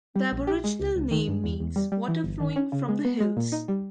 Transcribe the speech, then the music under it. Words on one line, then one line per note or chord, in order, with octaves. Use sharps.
The aboriginal name means "water flowing from the hills".
G3
A#1
G4
G#3
C#2
C#2
D#3
G2
E2
E2
G3
G3
E3
G1
D#3
C#4
C#3
G#3
B3
G#3
A#2
D#4
G3